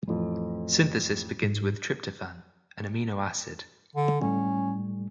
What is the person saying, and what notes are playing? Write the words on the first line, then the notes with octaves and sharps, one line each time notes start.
Synthesis begins with tryptophan, an amino acid.
A1 F2
G#2
D3
A2 G3 A3 C#4